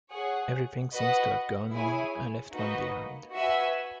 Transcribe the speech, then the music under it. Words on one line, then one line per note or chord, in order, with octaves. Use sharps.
Everything seems to have gone on and left one behind.
G#4 C#5 F#5
F#4 B4 D#5 F#5
E4 G#4 C#5 G#5
A#3 D#4 F#4 B4 D#5
F#4 B4 E5 G#5